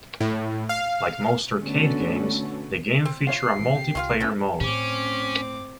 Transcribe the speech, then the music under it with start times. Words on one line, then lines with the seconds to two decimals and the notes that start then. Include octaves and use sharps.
Like most arcade games, the game featured a multi-player mode.
0.21 A2
0.69 F5
1.61 D3 A3 B3 C#4 F#4 A4
3.05 C4
3.27 F4 C#5 F5 C7
3.59 A2 E3
3.75 C3 G4
3.95 C2 A3 F4 F5
4.20 D3 E3 F#3 B3 C#4 E4 E6
4.60 A2 C4 C#4 D6